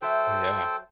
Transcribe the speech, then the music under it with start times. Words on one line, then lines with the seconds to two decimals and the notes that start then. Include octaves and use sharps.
Oh yeah.
0.02 F#3 A4 C5 E5 G5